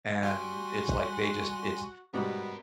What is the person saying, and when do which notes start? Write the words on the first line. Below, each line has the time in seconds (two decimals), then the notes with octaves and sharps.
and, it's like they just it's
0.23 G3 F#4 G#5 C6
2.14 G#2 B2 G3 B3 F#4 A#4